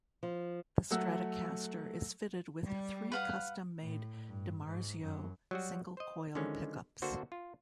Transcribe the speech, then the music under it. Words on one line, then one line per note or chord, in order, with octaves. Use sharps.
The Stratocaster is fitted with three custom made DiMarzio single coil pickups.
F3
F#3 A3 F#5 E6
G3
B4 F5 F#5
A2
G2
G#2
F#2
F#3 G3 F#4
C5 D#5
D3 D#3 F3 G#3 C#4
D3 A#3 D4 F#4 A4 C5
F4